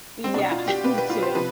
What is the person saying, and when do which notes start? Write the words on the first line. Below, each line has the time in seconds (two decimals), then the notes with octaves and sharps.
Yeah, me too
0.24 C4
0.34 B2 D4
0.51 F4
0.68 G4
0.84 B2 B4
0.98 B4
1.10 F4
1.23 C5
1.35 C3 F3 B4